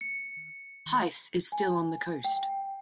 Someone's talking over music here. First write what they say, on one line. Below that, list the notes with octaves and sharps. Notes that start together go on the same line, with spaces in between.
Hythe is still on the coast.
C#7
G#5
G5